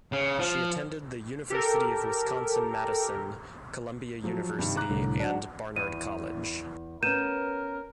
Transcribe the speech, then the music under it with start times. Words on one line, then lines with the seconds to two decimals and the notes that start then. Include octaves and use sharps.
She attended the University of Wisconsin-Madison, Columbia University and Barnard College.
0.12 C#3
0.39 F3
1.50 G4 A4 A#4
4.24 F3 F#3
4.59 G2 C3 D#3
4.77 A#5 D6 F#6
4.90 C2 A2 D3
5.20 F#3 D4 F#5
5.76 E2 D#7
7.03 B3 C#4 A#4 G6 D#7 E7